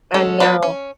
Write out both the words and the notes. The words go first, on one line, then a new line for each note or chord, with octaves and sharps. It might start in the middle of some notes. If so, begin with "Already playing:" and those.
I know.
G#3 C#4 A4
F#3 A#3 F4 B4 D5
C#4